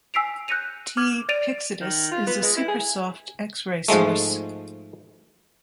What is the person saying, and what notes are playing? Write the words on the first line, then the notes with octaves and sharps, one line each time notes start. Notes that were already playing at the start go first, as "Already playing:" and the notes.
T Pyxidis is a super soft X-ray source.
G#5 E6 B6 C7 D7 F7
F#6 G6 A#6 C#7 D#7 F7
D6 F6 G#6
D5 A6 D7 D#7 F7
D#3
F4
B3
G#3
E4
G#4
G#2 F3 G#3 A3